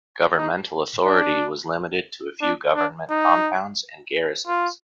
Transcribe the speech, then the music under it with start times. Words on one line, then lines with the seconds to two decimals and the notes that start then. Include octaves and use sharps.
Governmental authority was limited to a few government compounds and garrisons.
0.37 D#4
1.05 D4
2.42 D4
2.76 D4
3.10 D#4
4.47 F4